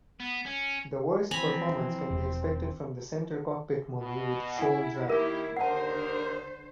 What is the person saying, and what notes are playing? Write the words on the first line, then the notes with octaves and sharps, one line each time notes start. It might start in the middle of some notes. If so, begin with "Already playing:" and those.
The worst performance can be expected from the center cockpit model with shoal draft.
B3
C#4
E3 F3 C4 G#5 A#5 B5
E1
B2
E4 F#5 G#5
D#3 A#3 E4 G4 A#4 E5
D#2 D3 A#4 C5 F#5 A5